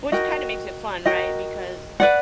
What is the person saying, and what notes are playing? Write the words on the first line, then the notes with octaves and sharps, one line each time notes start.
Which kinda makes it fun, right? Because,
F#4 A#4 D#5 G5
F#4 A#4 D#5 G5
B4 D5 F#5